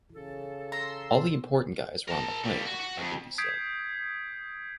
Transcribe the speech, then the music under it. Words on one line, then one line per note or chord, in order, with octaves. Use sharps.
"All the important guys were on the plane," Margulies said.
C#3 A4
A#5 C6 E6
A#4 A5
G3 A#3
F#4
F#4
F2
D#6 G6 G#6 B6 C7 D7